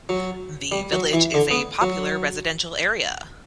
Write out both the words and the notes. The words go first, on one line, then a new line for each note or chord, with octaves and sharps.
The village is a popular residential area.
F#3
G3
F#3
E3
D3
B3
F#3